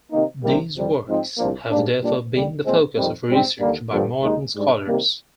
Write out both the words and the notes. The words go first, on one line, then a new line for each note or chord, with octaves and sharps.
These works have therefore been the focus of research by modern scholars.
C3 D#3 A#3 D#4
C2 C3 D#3 G3 A#3
F2 C3 G3
G#2 F3 C4 D#4
C2 A#2 F3 A#3 D4
G#2 G3 A#3 D4
A#2 G3 D4
D#2 D3 G3
A#2 G#3 C4
F2 D#3 G3 C4
G#2 G3 C4
D#2 D3 G3 A#3 D4
G2 D3 F3 A#3 D4
D#2 D#3 G#3 D#4
G#2 G3 D4
C3 D#3 G3 A#3